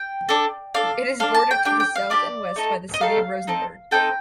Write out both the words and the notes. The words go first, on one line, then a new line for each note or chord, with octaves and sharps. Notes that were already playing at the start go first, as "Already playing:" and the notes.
It is bordered to the south and west by the city of Rosenberg.
Already playing: G5
D4 A4
D4 A4 F5
D4 A4 F5
A5
G5
D4 G4 G5
G5
F5
D4 G4 D5
A3 D#4 A4
D#5
A3 D#4 A4 F5
C4 D#4 A4
C4 D#4 A4 G5